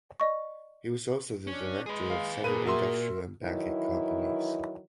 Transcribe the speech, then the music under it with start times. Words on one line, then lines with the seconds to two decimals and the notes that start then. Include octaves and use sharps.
He was also the director of several industrial and banking companies.
0.20 D5 D#5 C#6
1.47 C#4 D4
1.86 G#3 G#4 B4
2.10 F5
2.44 G1 A#2 G#4 A#4 B4 D#7
2.65 F#4 A#4 E5 C6
3.44 D#3 E3 F#3 E4